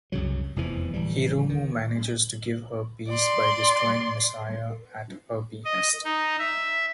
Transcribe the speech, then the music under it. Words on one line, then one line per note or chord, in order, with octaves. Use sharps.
Hiromu manages to give her peace by destroying Messiah at her behest.
C2 F#2 C#3 F#3
F1 E2 E3 F3
D1 E3 G3
D#3
D5 C6
D#5
D#4
E5